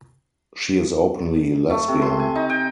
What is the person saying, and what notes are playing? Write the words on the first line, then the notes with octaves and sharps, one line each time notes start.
She is openly lesbian.
A3
C3
C6
G#5
D#4
G5